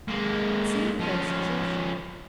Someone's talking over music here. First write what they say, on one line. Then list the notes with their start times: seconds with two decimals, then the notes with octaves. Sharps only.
It seemed a base desertion.
0.08 G#3 A#3
1.00 F3 C#4